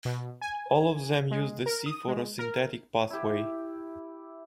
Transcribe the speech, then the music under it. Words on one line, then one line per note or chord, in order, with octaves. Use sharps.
All of them use the C photosynthetic pathway.
B2
G#5
G#3
A#4
D#6
G#3
A#4
E4 G4